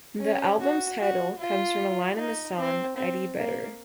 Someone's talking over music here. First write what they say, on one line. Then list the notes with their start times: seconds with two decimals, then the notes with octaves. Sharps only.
The album's title comes from a line in the song Eddie Vedder.
0.20 C#4
0.60 F#4
0.99 F#4
1.38 F4
2.18 D#4
2.57 C4
2.97 C4
3.36 A#3